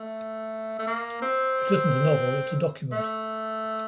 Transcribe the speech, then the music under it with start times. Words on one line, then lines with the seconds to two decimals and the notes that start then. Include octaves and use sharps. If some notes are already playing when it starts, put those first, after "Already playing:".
It isn’t a novel, it’s a document.
Already playing: A3
0.79 A3
0.87 A#3
1.22 C4
2.92 A3